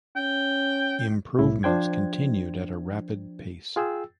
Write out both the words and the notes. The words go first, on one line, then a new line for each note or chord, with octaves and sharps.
Improvements continued at a rapid pace.
C#4 G5
C2 A2 E4
F3 D4 C5 G5 G#6
F4 G#4 G5 E6